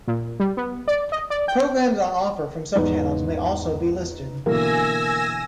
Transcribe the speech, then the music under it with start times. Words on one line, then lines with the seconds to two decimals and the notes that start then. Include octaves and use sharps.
Programs on offer from subchannels may also be listed.
0.08 A#2
0.40 G3
0.57 B3
0.88 D5
1.12 D#5
1.30 D5
1.48 G5
2.76 E2 G#2 D#4 B4
4.46 B2 D3 E3 A#3 G#5 E6 A#6